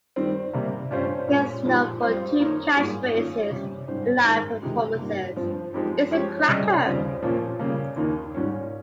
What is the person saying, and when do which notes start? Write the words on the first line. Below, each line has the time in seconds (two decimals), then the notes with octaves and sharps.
He is known for two catchphrases in live performances: It's a cracker!
0.16 D#3 G3 C4
0.53 C3 G3 A#3
0.91 G2 G3 C#4 F4 C5
1.28 A#2 G#3 C#4
1.65 A#2 F3 G#3 D#4 G4
2.02 G3 C4 F4 C5
2.39 D#3 A#3 D#4 A#4 C#5
2.76 G#2 G3 A#3 F4 G#4
3.14 D#3 A#3 C#4 F4
3.51 C3 G3 C#4 G4
3.88 G#2 G3 C#4 G4 C5
4.25 G#2 D#3 G#3 D#4 A#4
4.62 C3 D#3 G#3 D#4 G4
4.99 G#2 G3 A#3
5.36 G2 F3 C4
5.74 F3 G#3 C4 D#4 G4
6.11 F3 G#3 C#4 G4 C#5
6.48 C3 G3 C#4 G#4 D#5
6.85 D#2 C#3 G3 C4 F4
7.22 A#2 F3 A#3 C#4
7.60 C#3 G3 A#3
7.96 D#2 D#3 A#3 D#4
8.34 G#2 G3 C#4 F4